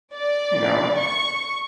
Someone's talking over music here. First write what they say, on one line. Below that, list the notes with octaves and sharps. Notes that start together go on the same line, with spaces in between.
you know.
D5
C#6